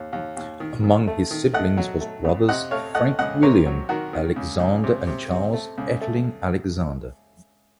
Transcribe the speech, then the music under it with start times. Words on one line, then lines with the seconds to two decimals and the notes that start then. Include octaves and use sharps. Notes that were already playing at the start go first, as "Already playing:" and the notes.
Among his siblings was brothers Frank William Alexander and Charles Elting Alexander.
Already playing: D#2
0.13 D#2
0.37 D#2
0.60 D#3
0.84 D#3
1.07 A3
1.31 D#3
1.54 A3 D#5 F#5
1.77 F#3
2.01 A3
2.25 F2
2.48 C3 D#5 F#5
2.71 A3 C#5 F5
2.95 A3 D#5 F#5
3.19 C#2 D#5 F#5
3.43 C3 A#4 C#5
3.66 F#3
3.89 D#3 F#4 A#4
4.13 D#3
4.36 C#2
4.60 C#2
4.84 C3
5.07 C3
5.31 C3
5.54 A3
5.77 C#2
6.01 A3